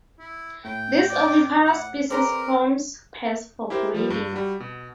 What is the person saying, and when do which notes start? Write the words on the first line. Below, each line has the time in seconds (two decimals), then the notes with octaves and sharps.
This oviparous species forms pairs for breeding.
0.19 E4
0.64 A2 G5
1.10 D5
1.65 F#5
2.10 C4 G#4 A#4 B4 D5 A#5 C6
3.70 E4 G4 A#4 C5
3.94 F3 G3
4.10 G2
4.32 G3 F#4
4.60 B2